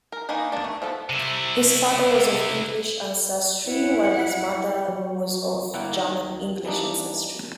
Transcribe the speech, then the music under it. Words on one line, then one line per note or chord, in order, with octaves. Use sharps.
His father was of English ancestry, while his mother was of German-English ancestry.
A#4
D#3 A#3 D#4 G#4 B4
A#3 D4 D5
A3
F3 B3 A4
C3 E4
E4 F#5
F#3
G1 A#3 E4 F#5 G5
D#3
E3 G3 A#3 D4 D#4